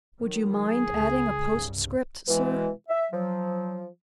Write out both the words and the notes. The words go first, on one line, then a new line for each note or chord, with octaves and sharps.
"Would you mind adding a postscript, sir?"
D#3 F#3
G#4
C#2 C#3
C2 G2 C#3
B2 E3 G#3
E5
F3 F#3